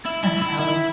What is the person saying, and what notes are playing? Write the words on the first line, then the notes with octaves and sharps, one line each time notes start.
That's valid.
E4
E4
E4
E4